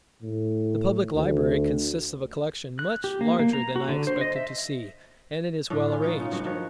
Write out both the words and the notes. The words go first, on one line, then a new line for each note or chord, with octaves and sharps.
The public library consists of a collection much larger than I expected to see; and it is well arranged.
A2
D2
F#6
G4
A#3
A#3
A#5
F#4
D3
C5
D#5
E5
A2 D4
C#4 F4
F#3 D#4 F4
C#3 D#4
G2 F#3 D#4
D#3 F3 F#4 C#5